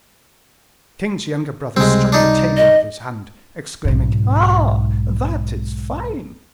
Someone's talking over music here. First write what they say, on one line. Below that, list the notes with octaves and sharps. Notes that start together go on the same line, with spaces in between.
The king's younger brother struck the table with his hand, exclaiming, "Ah! that is fine!"
C#2 C3 G3 G#3 C4
D4 D#4
D#5
B1 G#2